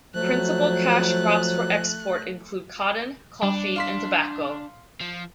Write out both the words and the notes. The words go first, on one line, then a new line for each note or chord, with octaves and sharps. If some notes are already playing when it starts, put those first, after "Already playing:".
Principal cash crops for export include cotton, coffee, and tobacco.
F3 F#3 A3 C5 F#6
G3 D4
F5 C6 B6
F3